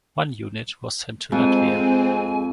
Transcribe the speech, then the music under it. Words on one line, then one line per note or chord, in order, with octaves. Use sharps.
One unit was sent to Latvia.
F2 G#3 C4 G#5